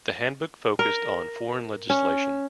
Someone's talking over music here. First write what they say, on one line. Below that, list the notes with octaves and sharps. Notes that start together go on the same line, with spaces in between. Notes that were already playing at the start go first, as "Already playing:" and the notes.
The Handbook focussed on foreign legislation.
A#4
C#4